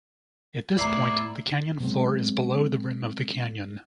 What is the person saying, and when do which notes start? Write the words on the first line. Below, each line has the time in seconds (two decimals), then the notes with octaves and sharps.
At this point the canyon floor is below the rim of the canyon.
0.77 E2 A2 E4 D5 A#5 C7 F#7
1.80 B2 F#3 G#3 C4